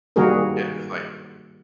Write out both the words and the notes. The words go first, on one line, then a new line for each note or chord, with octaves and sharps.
Yeah, like
D#3 G3 A#3 F#4 G#4 A#4